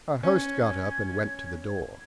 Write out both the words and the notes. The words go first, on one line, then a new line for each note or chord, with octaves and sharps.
Our host got up and went to the door.
C#4 G#6